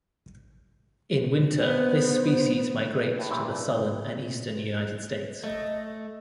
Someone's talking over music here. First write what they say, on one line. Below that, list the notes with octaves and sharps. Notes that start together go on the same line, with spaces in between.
In winter, this species migrates to the southern and eastern United States.
B3 C5
A2
G2 A#2 E3 C4 E4
A3 D#5